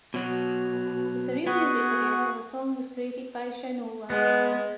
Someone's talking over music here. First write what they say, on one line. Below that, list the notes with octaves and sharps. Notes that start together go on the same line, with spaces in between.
The surreal music video for the song was created by Shynola.
B2 F#3
B3 F#4 G#4 G#5
G#3 B3